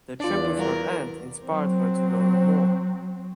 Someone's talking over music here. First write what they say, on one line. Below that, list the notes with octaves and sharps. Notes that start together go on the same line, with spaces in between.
The trip with her Aunt inspired her to learn more.
E2 D4 F4 D5
G3 F4 F#4 A#4
F#3 C4